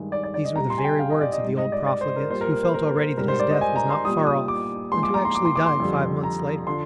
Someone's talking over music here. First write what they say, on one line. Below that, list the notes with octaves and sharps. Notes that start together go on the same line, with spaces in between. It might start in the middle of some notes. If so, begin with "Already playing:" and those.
These were the very words of the old profligate, who felt already that his death was not far off and who actually died five months later.
Already playing: G2 D#3 G#3
D5
D5
D5
D#5
C3 G3 A#5
C6
G#5
G5
F5
D#5
D5
D#5
G#2 G3
D#5
D5
D5
C5
A#4
A#2 G3 C5
A#4
A#4
C5
A#4
C5
G#2 G3 A#4
C5
D5
D#5
G#5
A#5
C6
A#2 G3 D#6
D#6
D6
A#2 F3 G#3 C6
D6
A#5
C6
D6
C6
D6
C6
F2 D3 G3
A#5
D3 F3 C6